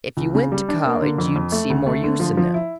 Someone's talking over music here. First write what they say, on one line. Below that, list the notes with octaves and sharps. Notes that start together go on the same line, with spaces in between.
"If you went to College you'd see more use in them."
C#2
C#3
G3
D4
A#3
D3
F2
F2
A3
D2
A3
D3
F3
F3
E4